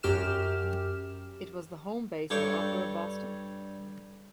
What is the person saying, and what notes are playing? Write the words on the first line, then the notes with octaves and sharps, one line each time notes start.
It was the home base of Opera Boston.
F#2 G4 F6 E7
G2 D4 A4 C#5 G5